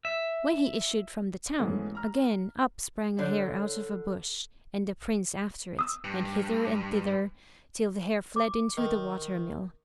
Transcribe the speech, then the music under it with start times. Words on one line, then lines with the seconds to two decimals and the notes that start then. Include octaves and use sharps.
When he issued from the town, again up sprang a hare out of a bush, and the prince after it, and hither and thither, till the hare fled into the water-mill.
0.05 E5
1.59 G#2 B2 E3 G#3 A3 C#4
1.95 A#5 F6
3.19 D3 C#5 D5 G6
5.79 D#6 E6
6.04 G2
8.36 D6
8.77 D#3